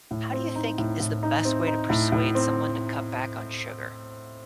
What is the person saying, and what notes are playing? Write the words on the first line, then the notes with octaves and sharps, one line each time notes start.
How do you think is the best way to persuade someone to cut back on sugar?
A2
C4
D#4
A2
A2
D#4
C4
D#4
A2
A2
C4